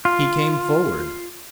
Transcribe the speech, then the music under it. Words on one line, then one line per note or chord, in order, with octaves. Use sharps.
He came forward.
F4